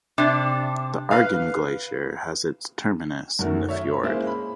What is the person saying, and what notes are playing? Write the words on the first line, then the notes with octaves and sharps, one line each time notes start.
The Argand Glacier has its terminus in the fjord.
C3 D4
B4 F5
F#2 D#3 A3 F#4 A#4
C#5 E5
G#3 A#3 C#4 E4 C5
B5